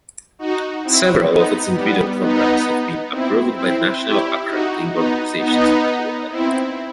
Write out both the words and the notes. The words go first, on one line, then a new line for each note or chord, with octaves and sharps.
Several of its individual programs have been approved by national accrediting organizations as well.
D#4 F#4
C4 E4
B3 D#4
G3 B3
B3 D#4
C4 E4
C4 E4
E4 G4
D#4 F#4
B3 D#4
B3 D#4
C4 E4